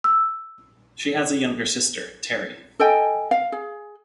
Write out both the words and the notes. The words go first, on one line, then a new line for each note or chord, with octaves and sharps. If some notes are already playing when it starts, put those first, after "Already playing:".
She has a younger sister, Terry.
E6
A4 D#5 G5 G#5
F5
G#4